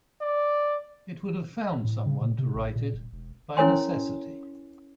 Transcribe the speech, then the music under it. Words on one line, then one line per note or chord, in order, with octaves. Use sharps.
It would have found someone to write it, by necessity.
D5
A2
C#3
A#2
C3
A1
A#2
D#1
E1
C#4 E4 A#4 C#5 G#5 C6